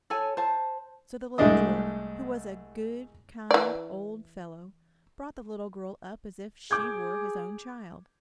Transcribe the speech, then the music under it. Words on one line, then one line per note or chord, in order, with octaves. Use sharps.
So the little dwarf, who was a good, kind old fellow, brought the little girl up as if she were his own child.
A4 C#5 G#5 A5
C5 A5
C2 G#3 A3 D4 D#5 D#6
E3 D5
G#4 D6 G6 G#6